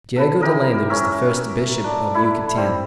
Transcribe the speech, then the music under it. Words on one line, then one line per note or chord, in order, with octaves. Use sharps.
Diego de Landa was the first bishop of Yucatan.
A4 B4
E4 G4 A#4 D#5
C#4 A#4 C#5 E5
D4
E4 A4 B5
G3 C4